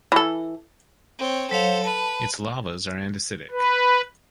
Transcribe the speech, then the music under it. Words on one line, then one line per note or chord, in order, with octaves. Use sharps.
Its lavas are andesitic.
E3 A4
C4 C#5
F#3 A4 C5 C#5 F5
B4 A5
B4